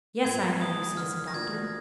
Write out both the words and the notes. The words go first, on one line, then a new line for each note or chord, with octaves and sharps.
"Yes, I know you, Citizen Doctor."
A#2 G#6
G#3 B3 D#6
D3 F6
A#6
F3 A#3 D4 F#4 G#6